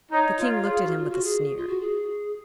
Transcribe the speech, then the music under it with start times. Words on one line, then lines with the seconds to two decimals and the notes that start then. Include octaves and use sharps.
The King looked at him with a sneer.
0.11 D#4 C#5
0.39 F4
0.68 G#4
0.82 F#4
0.96 F4
1.10 F#4
1.24 G#4
1.57 F4
1.68 F#4
1.80 G#4